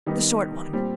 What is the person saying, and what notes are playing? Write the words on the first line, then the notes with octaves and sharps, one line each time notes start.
"The short one."
D#3 G3 B3 D#4
A#2 G3 C4